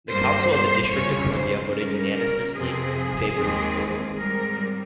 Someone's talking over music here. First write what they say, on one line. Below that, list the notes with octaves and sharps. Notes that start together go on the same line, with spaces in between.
The Council of the District of Columbia voted unanimously in favor of the proposal.
G2 G3 A#3 C5
C5
F2 C#3 G3 C#4 C#5
C5
C#3 G3 C#4 A#4
A#4
F2 C3 F3 C4 G#4
D#2 D#3 G#3 C4
G#2 G3 C4 A#4